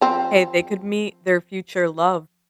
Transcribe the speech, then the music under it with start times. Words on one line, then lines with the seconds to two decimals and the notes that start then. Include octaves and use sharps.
Hey, they could meet their future love
0.01 F3 C4